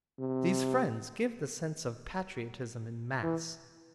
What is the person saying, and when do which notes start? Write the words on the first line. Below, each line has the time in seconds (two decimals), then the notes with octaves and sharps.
These friends give the sense of patriotism in mass.
0.19 C3
3.23 E3